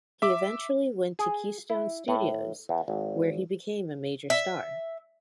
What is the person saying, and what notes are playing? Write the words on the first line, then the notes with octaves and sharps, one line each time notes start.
He eventually went to Keystone Studios, where he became a major star.
E5 D6
G#4
E4
A2
E2
G#1
E5